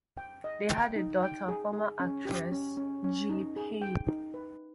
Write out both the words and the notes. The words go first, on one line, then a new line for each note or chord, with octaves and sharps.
They had a daughter, former actress Julie Payne.
G5
D#5
G5
D#4
G5
G#4
G#4
C#4
G4
C#4
C#4
C#4
D#4
G#4
G5
D#4
B4